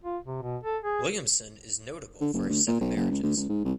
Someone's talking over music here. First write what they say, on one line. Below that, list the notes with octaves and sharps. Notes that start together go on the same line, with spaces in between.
Williamson is notable for his seven marriages.
F4
C3
B2
A4
G#4
D3
F#1
D2
A#2
B1
F#1
C#2
D2
C#2
G#2
C2